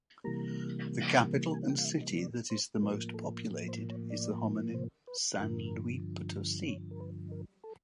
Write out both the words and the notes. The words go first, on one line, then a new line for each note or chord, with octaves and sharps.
The capital and city that is the most populated is the homonym San Luis Potosí.
C3 E3 G3 A#3 A#5
G#5
G5
F5
E5
D#5
D5
C5
A2 F3 A#3 B4
A4
C5
C#5
D5
C5
B4
G2 D3 F3 A#4
C#5
A#4
B4
A#4
A4